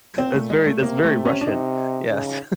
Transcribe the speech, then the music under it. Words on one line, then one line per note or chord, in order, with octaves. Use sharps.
that's very that's very Russian, yes.
A#2 C4
A3
G#3
A3
C3 A#3
A3
C#4
D4
C3 D#4
C#3